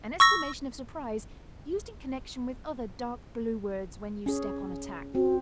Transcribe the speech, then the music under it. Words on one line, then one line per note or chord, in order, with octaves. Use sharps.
An exclamation of surprise used in connection with other dark blue words when you step on a tack.
C#6 E6 A#6
C#4 G#4
C4 F#4